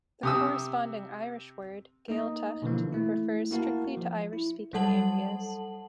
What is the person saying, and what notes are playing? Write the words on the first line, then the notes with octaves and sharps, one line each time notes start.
The corresponding Irish word "Gaeltacht" refers strictly to Irish-speaking areas.
C3 D#6 E6
A#3 D#4 D#5
B2 D3 E3 F3 A#3
A3 E4
A#3 E4 F#4 A#4 F5 A5
F3
E4
F#3 G3 A4 F#5 A5 F#7